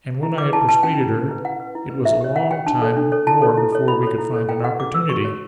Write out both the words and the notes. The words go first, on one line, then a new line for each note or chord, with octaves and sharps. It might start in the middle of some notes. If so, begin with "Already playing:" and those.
And when I had persuaded her, it was a long time more before we could find an opportunity.
E4
B4 D6
E4 A5
B4 A5
C#4 G5
E4 B4
C#4
E4 B4
E4 F#5
B4
E4
B4
E4 E5
G4 C#5
E4 F#5
G4 C#5 G5
D4 A5
A4 C#5
D4
A4 C#5
E4 A5
A4 C#5
E4
A4 C#5
E4 B5
A4 C#5
E4
A4 C#5
E4 G5
B4 F#5
E4 D6
B4 E6
F#4 C#6
C#5